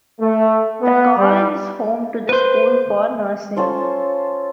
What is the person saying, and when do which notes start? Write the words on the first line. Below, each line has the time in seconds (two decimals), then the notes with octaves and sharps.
The college is home to the School for Nursing.
0.21 A3
0.82 B3
1.17 G3
2.29 B4 C5
3.57 C#4 F4 A4 C5